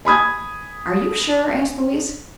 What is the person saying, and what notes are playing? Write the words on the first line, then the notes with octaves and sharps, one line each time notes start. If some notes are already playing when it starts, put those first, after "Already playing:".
"Are you sure?" asked Louise.
G#5 B5 D#6 G#6